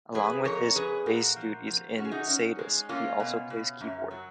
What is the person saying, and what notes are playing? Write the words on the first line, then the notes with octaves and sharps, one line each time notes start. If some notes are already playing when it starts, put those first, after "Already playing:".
Along with his bass duties in Sadus he also plays keyboards.
F2 G#4 B4
F2 A#4 C#5
F2 G#4 B4
A#2 F#4 A#4
F3
F3
C#4 F#4
G#4
D#4 F#4
C#4
G#3
A#3 C#4 F4
B2
B2
F#2
F#3